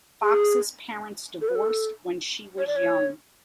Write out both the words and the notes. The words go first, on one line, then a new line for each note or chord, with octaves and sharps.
Fox's parents divorced when she was young.
G#4
A4
B4
A4
C#5
D5
C#5